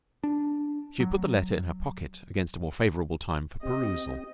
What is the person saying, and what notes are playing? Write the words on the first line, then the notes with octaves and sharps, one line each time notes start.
She had put the letter in her pocket against a more favourable time for perusal.
D4
F#3
C4 G4 D#5